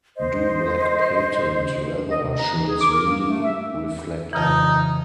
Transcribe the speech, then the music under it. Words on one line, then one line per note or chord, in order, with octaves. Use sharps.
Do Black Patent Leather Shoes Really Reflect Up?
C5 D#5
D#5
C3
A#5
E3
G#4
D6
A#4
A#3
A3
E5
F2 C#3 E3 D#4